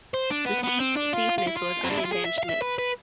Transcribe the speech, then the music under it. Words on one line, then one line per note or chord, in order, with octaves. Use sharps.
The street's steepness was unintentional.
C5
D4
B3
B3
C4
D4
F4
F4
E4
F4
C4
D4
E4
F4
G#4
E5
E5
F5
E5
B4
B4